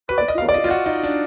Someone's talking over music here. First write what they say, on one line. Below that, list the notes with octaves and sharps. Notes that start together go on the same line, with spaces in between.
Oh, cool, yeah.
B4
D5
D#5
F5
D5
D#5
F4
F#4
D#4
D4